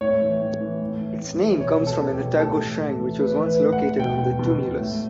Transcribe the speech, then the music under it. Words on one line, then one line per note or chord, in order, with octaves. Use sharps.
Its name comes from an Atago Shrine which was once located on the tumulus.
A2 C#5
E3
A2
E3
A2
E3
A2
E3
B2 C#5
B2
A4
B2
G4
B2
A2 A4
E3
A2
E3
A2 B4
E3
B4
A2
F#5
E3
B2 G5
B2
B2
B2
A2